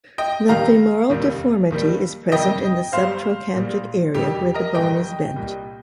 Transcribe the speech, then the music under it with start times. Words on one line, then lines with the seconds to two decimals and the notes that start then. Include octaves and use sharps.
The femoral deformity is present in the subtrochantric area where the bone is bent.
0.18 D#5 G5
0.48 D#2 D#3 G3 F5 A#5
1.10 F1 D#2 D#3 G3
1.70 D#2 D#3 G3
2.32 F2 C3 D#3 G3 D#5 G5
2.92 G1 G2 G3 C5 F5
3.54 A#1 A#2 G3
4.14 F1 F2 D#3 G3 G4
4.35 G4
4.54 A#4 D#5
4.75 G1 G2 D#3 D#5 G5
5.36 C2 A#2 G3